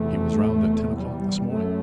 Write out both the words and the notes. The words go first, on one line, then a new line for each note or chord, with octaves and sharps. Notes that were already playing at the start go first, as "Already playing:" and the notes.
"He was round at ten o'clock this morning."
Already playing: E2 C3 A3
E2 C3
G3
F#2 A3